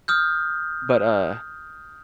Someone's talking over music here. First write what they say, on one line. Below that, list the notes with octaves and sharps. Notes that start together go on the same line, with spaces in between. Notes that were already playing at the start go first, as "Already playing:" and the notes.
But, uh,
D#6 F6 G6